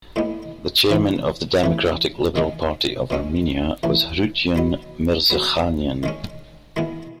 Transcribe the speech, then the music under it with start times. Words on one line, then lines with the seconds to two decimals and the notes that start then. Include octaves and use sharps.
The chairman of the Democratic Liberal Party of Armenia was Harutyun Mirzakhanian.
0.16 A2 G#3 B3 D#4
0.90 C#3 E3 B3
1.64 C#3 E3 A3
2.36 D#3 G#3 D#4
3.10 B2 G#3 C#4
3.83 C#3 E3 A3
4.56 F#3 B3 D#4
5.30 C#3 F#3 B3
6.03 D#3 G#3 C#4
6.76 D#3 G#3 B3 E4